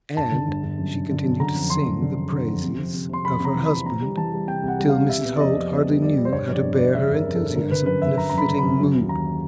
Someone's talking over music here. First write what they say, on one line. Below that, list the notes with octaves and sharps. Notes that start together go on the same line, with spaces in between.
And she continued to sing the praises of her husband till Mrs. Holt hardly knew how to bear her enthusiasm in a fitting mood.
G1 A5
D3
G1
G1
F#2
D3
D3
F#2
D3 A#5
F2
F#1 C6
F#1
D3
D3
D3
F2
C3
F2
C3
C3 C6
F2 B5
C3 A#5
E3
B5
C3
C3 A#5
G3
E3 A5
G3
C3 G5
C2
F#5
G3
C2 F5
G3 E5
B3
D5
F2 D#5
F2
B3 D5
G3
G3 D5
G3
C5
G1 C#5
F2
D5
G1
G1 D5
C#3 E5
G1
A#4
F2
G1 A4
D3 A#4
D3 B4
F#2 B4
F#2 E5
F#2 A#5
A#5
F#2 B5
D3
F#2 B5
F#3
D#2
D#2 A#5